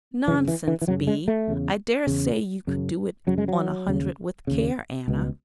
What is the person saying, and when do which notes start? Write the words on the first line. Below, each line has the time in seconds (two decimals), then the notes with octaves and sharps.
'Nonsense, Bee! I dare say you could do it on a hundred with care, Anna.'
0.27 F#2 C#3 E3
0.48 E3
0.68 E3
0.82 E3
0.87 F#2 C#3 F#3
1.07 G#3
1.28 A3
1.48 E2 C#3
2.07 E2 C#3
2.67 F#2 C#3
3.27 F#2 C#3 F#3
3.38 G#3
3.48 F#3
3.87 D#2 C#3
4.47 D#2 C#3
5.08 C#2 B2